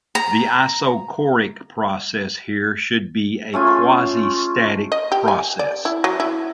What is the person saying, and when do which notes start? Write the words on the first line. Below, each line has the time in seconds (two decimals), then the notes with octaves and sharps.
The isochoric process here should be a quasi-static process.
0.15 A#5
3.53 A3 C#4 F4 G#4
4.92 D#5
5.12 G4
5.28 G#5
5.59 D5
5.85 E4
6.04 F#3
6.20 E4